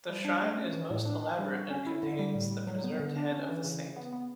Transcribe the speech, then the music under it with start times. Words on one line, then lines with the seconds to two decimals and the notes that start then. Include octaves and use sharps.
The shrine is most elaborate and contains the preserved head of the saint.
0.09 G3
0.25 D4
0.42 A3
0.57 C#4
0.73 E3
0.90 A2
1.05 D4
1.22 D4
1.38 G3
1.54 F#4
1.70 C#4
1.87 E4
2.03 D3
2.19 G3
2.35 A2
2.51 G3
2.67 F#3
2.84 B3
3.00 D3
3.16 D4
3.32 C#4
3.49 E3
3.64 C#3
3.80 C#3
3.96 B3
4.13 B3